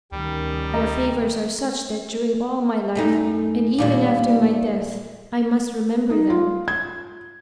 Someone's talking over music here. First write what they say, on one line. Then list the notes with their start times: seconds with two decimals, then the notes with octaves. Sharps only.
Your favours are such that during all my life, and even after my death, I must remember them.
0.12 D2 C3 D#3 G3 C#4
0.74 D#5 A#5
2.95 F#2 A3 D#4
3.78 D#2 A#2 G3
6.10 D#4
6.30 F4
6.68 G#6